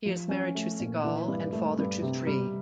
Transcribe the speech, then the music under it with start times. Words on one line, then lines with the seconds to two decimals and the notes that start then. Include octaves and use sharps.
He is married to Sigal and father to three.
0.06 F3
0.29 C#4
0.55 A3
0.80 A#2
1.04 E3
1.28 G2
1.53 A3
1.78 G2
2.02 C3
2.27 G3